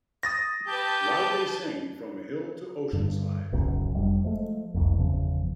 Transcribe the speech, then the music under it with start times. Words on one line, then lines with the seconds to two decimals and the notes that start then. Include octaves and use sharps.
Loudly sing from hill to oceanside!
0.23 D#6 A6 A#6
0.68 G4 B4 A5 G6
2.93 G2 D3
3.52 D1 B1 F#2 C#3
3.94 F1 G3 D4
4.24 F3 G#3 A3
4.74 F#1 C2 F2
4.98 G1 E2 C#3 F3